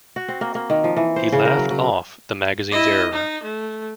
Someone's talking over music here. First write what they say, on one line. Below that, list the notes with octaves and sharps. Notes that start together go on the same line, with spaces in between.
He laughed off the magazine's error.
F#4
C4
A#3
A#3
D#3
F3
E3
C5
C#3
A#4
F#3
F#3
E4 D#5
D#4
A3